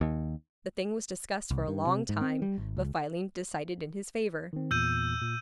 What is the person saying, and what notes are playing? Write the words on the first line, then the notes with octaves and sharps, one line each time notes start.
The thing was discussed for a long time, but finally decided in his favor.
D#2
C2
G2
C3
G#2
C4
G3
G#1
C#2
D#3 C4
E2 A#2 E6 G6 D#7
A#2